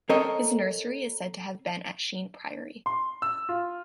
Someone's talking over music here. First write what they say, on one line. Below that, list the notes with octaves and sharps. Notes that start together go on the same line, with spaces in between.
His nursery is said to have been at Sheen Priory.
C4 A4 A#4 C#5 D#5
C6
E6
F4